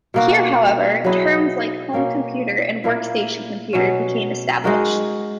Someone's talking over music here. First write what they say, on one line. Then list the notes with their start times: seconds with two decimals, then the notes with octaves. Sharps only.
Here however, terms like home computer and workstation computer became established.
0.14 B2 A#3 D#4 F#4
1.04 F#3 B3 E4 G#4
1.93 B2 A#3 C#4
2.84 A#2 A#3 E4 A#4
3.73 B2 F#3 C#4
4.64 G#3 D#4 F#4 A#4